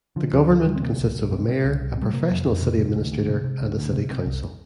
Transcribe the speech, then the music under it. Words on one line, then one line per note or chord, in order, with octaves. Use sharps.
The government consists of a mayor, a professional city administrator, and a city council.
D3 F3
D2 F3
D2 F3
D3 G3
C4
C3 A#3
C2
C2
C3
C3
C2
C2
C3 G3
C3 A#3
F2
F2
C3
C3
D2
D2
C3
C3
D2
D2
C3
C3
C2